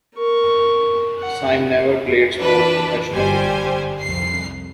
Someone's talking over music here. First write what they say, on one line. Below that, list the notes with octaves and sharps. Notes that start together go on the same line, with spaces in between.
Sime never played sports professionally.
A#4 C#6
F#5
E3 D4 B4
G1 G3 G4 C5 G#5
C2 F2 C7